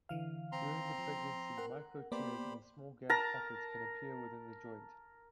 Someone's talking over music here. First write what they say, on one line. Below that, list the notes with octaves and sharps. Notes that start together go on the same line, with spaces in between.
During the pregnancy, micro tears and small gas pockets can appear within the joint.
D3 E3 F5
C4 A#5 C6
F3
A#4 F#5
A#3 B3 G4 C5 D5 B5
A#4 A5 A#5